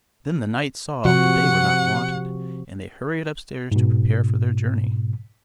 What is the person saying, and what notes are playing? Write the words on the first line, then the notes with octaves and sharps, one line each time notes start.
Then the knights saw that they were not wanted, and they hurried upstairs to prepare for their journey.
C3 F3 F#4 F#5
G#2 B2